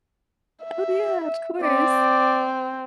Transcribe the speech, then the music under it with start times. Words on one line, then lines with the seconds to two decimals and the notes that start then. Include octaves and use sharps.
Oh, yeah, of course.
0.63 E5
1.63 C4 D5